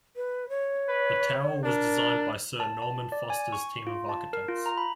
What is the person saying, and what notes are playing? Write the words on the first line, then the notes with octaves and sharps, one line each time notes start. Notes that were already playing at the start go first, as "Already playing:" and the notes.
The tower was designed by Sir Norman Foster's team of architects.
B4
C#5
B4
D4 A#4
A5
A5
D5
G#5
C#6
F4
A5
A#4
F4
A#5
B5